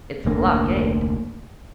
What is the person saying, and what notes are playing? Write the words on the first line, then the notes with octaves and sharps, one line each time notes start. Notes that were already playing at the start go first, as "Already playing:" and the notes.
"It's a blockade."
F1 D2 A#3 D4